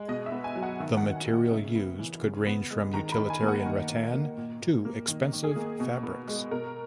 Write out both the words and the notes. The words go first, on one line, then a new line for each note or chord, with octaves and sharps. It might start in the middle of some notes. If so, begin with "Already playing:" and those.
The material used could range from utilitarian rattan to expensive fabrics.
Already playing: G#3
B2 D#5
E5
B3
G#5
F#3
F#5
D#3 E5
F#5
D#3
G#5
A#3
F#5
C#3 E5
B3
E3
C#3
B3
G#3
D#3 A#5
B5
D#3
G#5
A#3
F#5
D#3
D#3
A#3
A#2
A#2
A#3
D#3 D#5
D#3
G#4
A#3
B2
B3
G#3
B2 A#4